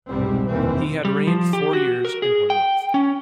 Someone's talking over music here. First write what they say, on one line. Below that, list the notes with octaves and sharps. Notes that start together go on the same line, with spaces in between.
He had reigned four years and one month.
F1 C2 G#2 B2 G3 C4
F1 A#1 D#2 E3 C4
G3
F3
G4
F#4
A#4
G#4
G5
C#4